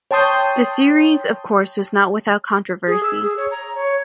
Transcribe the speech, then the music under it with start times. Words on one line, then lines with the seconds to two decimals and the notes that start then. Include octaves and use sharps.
The series of course was not without controversy.
0.11 C#5 G5 A5 C6 D#6 G6
2.87 G#4
3.03 E6
3.23 G#4
3.37 C#5
3.51 A#5
3.75 C#5